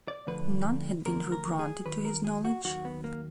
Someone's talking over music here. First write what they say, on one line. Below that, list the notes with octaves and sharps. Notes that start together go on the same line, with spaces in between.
None had been rebranded to his knowledge.
D5
D2 D3 F3 B4
D2 D3 F3 A#4
A#4
G#4
D#2 D#3 F#3 B4
A#4
G#4
F#4
D#2 D#3 F#3 F#4
B3
A#3